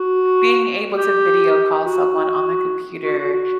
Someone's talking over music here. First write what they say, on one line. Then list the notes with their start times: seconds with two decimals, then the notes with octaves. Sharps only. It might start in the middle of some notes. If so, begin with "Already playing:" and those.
Being able to video call someone on the computer,
Already playing: F#4
0.97 G4
1.86 F#4
3.04 F#4
3.18 F#4
3.34 F#4